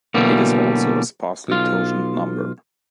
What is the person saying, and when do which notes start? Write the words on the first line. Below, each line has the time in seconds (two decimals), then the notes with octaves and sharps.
It is also a sparsely totient number.
0.14 B2 D3 E3 F#3 G3 A#3
1.48 B1 F4